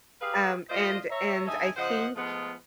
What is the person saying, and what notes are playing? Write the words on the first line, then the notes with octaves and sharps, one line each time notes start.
Um, and and I think
G4 G#4 B4 F5
A3 F4 C5 D5 D#5
C#5 E5 A#5
G2 D#4 A4 E5 G#5
C#3 F3 C5 D#5 F#5
F3 G#3 A3 B3 D#4 F4